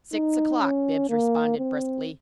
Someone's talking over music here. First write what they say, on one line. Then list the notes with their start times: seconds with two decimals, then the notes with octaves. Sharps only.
"Six o'clock," Bibbs responded, briskly.
0.13 D#4
0.61 C#4
1.09 A#3
1.58 C4